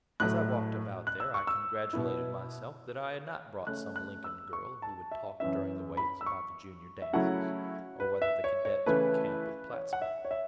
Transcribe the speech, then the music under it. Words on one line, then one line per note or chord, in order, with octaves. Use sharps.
As I walked about there I congratulated myself that I had not brought some Lincoln girl who would talk during the waits about the Junior dances, or whether the cadets would camp at Plattsmouth.
A2 F#3 A3 F#6
F#6
E6
C#6
E6
B2 B3 E4
C#3 A3 C#4 F#6
F#6
E6
C#6
A5
E5
F#2 E3 C#4 E5
B5
E6
C#6
E5
C#3 F#3 A3 C#4 E4 F#5
B4
E5
C#5
C#5
C#3 E3 A3 E4 B4
C#5
F#5
E5
C#5
E5